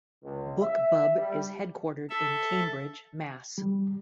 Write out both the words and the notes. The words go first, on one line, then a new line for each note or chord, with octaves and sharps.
BookBub is headquartered in Cambridge, Mass.
C#2
E5
G3
A4 E5
G3